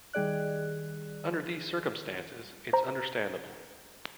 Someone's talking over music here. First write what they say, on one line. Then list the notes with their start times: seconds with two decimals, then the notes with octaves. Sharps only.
Under these circumstances it's understandable.
0.13 D#3 G3 G#4 D5 F#6
2.73 C5 A#5